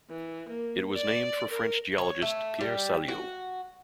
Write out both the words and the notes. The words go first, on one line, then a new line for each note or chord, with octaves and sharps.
It was named for French geologist Pierre Saliot.
E3
A#3
D5
A#4
C#5
A3
G3
F#4